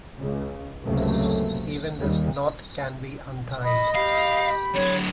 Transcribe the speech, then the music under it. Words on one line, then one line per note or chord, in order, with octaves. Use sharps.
Even this knot can be untied...
C#2 C#3
C#2 F#2 C3 F#3 A3 A#3
D#2 G3
D#5 B5 D#6
G4 F5 B5
D3 F#3 C#5